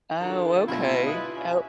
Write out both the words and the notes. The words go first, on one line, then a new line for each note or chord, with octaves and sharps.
Oh, okay. Oh,
D#3 D4 F4 G4 A4
D2 B2 E4 E6
B4 D#5
C#4 E5